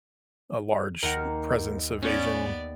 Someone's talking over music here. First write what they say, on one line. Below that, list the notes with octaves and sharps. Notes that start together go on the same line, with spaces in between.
a large presence of Asian,
D#2 A#4 F#5
B3 C#4 D5